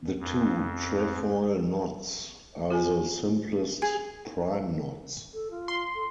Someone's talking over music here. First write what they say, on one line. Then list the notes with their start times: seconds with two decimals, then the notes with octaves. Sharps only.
The two trefoil knots are the simplest prime knots.
0.19 F2
2.70 F4 G#4 G#5
3.82 G#4
5.34 A4
5.51 F4
5.68 C6
5.95 A4